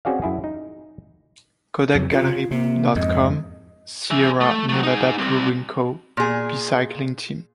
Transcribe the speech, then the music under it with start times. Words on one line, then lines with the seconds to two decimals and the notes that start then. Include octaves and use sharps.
Kodakgallery.com-Sierra Nevada Brewing Co. Bicycling team.
0.05 C4 C#4 F#4 G#4 D5 F5
0.22 F#2 E4 G#4
0.44 D#4
1.95 F2 C#3 F#3
2.11 C#3 F4
2.51 C3 A#3
2.96 F2 G#2 D#5
4.11 G#4 E5
4.41 A3
4.69 F#3 A3
4.83 D#4 G#4
5.18 G3 C4
6.17 A#2 G#4